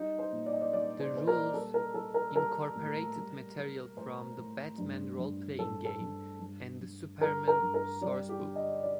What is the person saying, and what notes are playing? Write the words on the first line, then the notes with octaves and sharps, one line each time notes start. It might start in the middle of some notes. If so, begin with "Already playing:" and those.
The rules incorporated material from the "Batman Role-Playing Game" and the "Superman Sourcebook".
Already playing: G3 D#4
C5
A#2
D5
D#5
D5
G3 D5
C5
A#2 C5
A#4
G3 A4
A#4
G3 A4
A#4
G3 A#4
A2
G3
G3
A2 C5
A2
G2
G2
G2 A4
A4
G2
G2
G2
G3 A#4
A#4
G2
A#4
G3 D5
G4
D3
D#5
D5